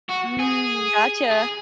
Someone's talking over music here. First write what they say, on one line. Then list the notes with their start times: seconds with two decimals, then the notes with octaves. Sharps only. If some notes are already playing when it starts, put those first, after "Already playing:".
Mm, gotcha.
0.09 F#4
0.39 G#4
1.31 G#4